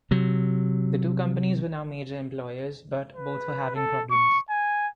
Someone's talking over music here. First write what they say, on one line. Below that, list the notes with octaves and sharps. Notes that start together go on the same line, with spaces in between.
The two companies were now major employers, but both were having problems.
C3 F#3
B4
A4
C#6
G#5